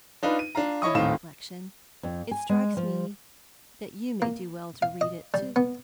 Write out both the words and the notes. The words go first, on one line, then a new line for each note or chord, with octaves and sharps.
On reflection, it strikes me that you may do well to read it, too.
D4 D#4 F4 B4
D#7
D4 F4 F5 A#5
E4 C#5 D#5 C#6 D#6
D#1 A2 C4 D#4 F4 E7
F2
G#5
G#3
F3
A#3
F5
D#5
G3
B3